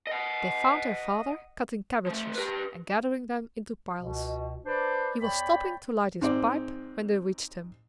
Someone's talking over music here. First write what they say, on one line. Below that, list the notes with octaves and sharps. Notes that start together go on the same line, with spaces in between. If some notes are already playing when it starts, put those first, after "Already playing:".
They found their father cutting cabbages and gathering them into piles. He was stopping to light his pipe, when they reached him.
D#5 F#5
F3 A3
G4 B4
C#2 B2
D4 B4 C5 D5
E2 C#5 D5 G5 B5
G#2 C4 D5